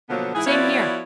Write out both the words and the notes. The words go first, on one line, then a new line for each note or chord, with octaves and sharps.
Same here.
B2 D3 F3 F#3 A#3 B3
G#2 E3 E4 G#4
F3 B3 E4 F#4 C#5 D5